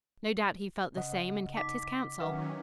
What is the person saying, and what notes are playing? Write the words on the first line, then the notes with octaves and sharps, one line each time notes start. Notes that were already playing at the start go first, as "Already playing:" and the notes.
No doubt he felt the same and kept his counsel.
C#3 D#5 F#5
D#4 D6 B6
D#3 F#3 C#4 B4 E5 F#5